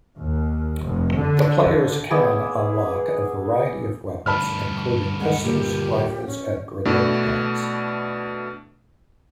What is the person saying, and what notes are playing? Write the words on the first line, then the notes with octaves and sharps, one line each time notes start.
The players can unlock a variety of weapons, including pistols, rifles, and grenade guns.
D#2
F1
D3
B3 E4 G#4 D6
D2 G2 A5 B5 F6
G#3 F#5
A#2 G4
C#4
B2 A3 D4 E4